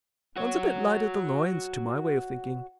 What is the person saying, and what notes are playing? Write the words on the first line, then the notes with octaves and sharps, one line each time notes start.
"Runs a bit light at the loins, to my way of thinking'."
F#4 C#5